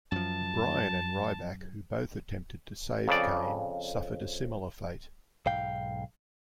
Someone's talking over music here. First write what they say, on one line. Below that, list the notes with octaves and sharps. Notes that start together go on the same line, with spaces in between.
Bryan and Ryback, who both attempted to save Kane, suffered a similar fate.
F#2 F3 A5
F2 C#3 D5
B1 G#2 F5 G5